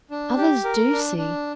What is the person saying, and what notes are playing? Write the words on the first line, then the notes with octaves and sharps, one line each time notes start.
Others do see!
D4
G4
A#4
D4
D4